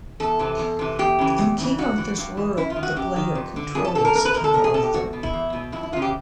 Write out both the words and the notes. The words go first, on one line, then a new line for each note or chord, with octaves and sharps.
In "King Arthur's World", the player controls King Arthur.
E2 A4
C3 E3
E2
C3 E3
E2 G4
C#3 E3
E2
C#3 E3
G2 F#4
E3
G2
E3
F#2 E4
F4
D#3
F#4
F#2 G4
D#3
F2
D3
F2 G#4
A4
D3 A4
A#4
E2 A#4
B4
B2 A#4
A4
E2 A#4
G#4
B2 A4
G4
E2 F#4
B2
E4
E2
B2
F2 E4
E4
C#3 E3 F4
G4